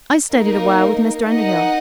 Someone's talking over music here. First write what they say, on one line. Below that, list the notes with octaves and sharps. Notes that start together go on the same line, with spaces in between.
I studied awhile with Mr. Underhill.
A#3 D#4 A#4
D#4 A#4 D#5 F#5